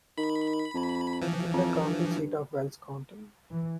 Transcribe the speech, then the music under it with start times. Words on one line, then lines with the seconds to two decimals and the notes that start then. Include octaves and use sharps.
It is the county seat of Wells County.
0.18 D#3 B5
0.75 F2
1.21 E3 F3
1.53 F2
1.82 G2
3.51 E3